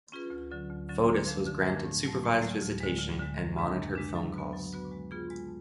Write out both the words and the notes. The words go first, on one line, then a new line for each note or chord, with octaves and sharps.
Fotis was granted supervised visitation and monitored phone calls.
C#4 F4 G#4 B4
D2
D3 F#3 C#4
D2
D3 F#3 C#4
D3
F3 A3 D4
D3
F3 A3 D4
A2
F#3 A3
A2
F#3 A3
D2
D3 G#3
D2
D3 G#3
F#2
C#3 G#3 D4
F#2
C#3 G#3 D4
F#3
B3 F#4 B4
F#3
B3 F#4 B4
G#3
B3 F4 G#4
G#3